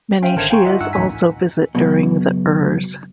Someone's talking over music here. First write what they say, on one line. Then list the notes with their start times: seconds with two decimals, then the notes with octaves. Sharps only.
Many Shias also visit during the urs.
0.22 C#4 C5 E5 F5 G5
0.35 G#1 D3 A#4 C5 A5 G#6
0.50 F5 G5 G#5 A#5 C6 C#6
0.66 F4 D#5 E5 F#5
0.80 G2 D#4 F#5 E6
0.93 A1 D2 D#4 G#5 B6
1.75 C#2 F#2 B2